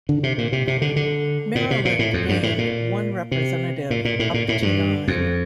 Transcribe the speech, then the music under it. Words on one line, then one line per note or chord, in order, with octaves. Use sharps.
Maryland gained one representative, up to nine.
D3
C3
A#2
C3
C3
D3
D3
A#2
C3
A#2
A2
F2
G2
A2
A#2
C3
A#2
A#2
A2
A#2
A2
G2
F2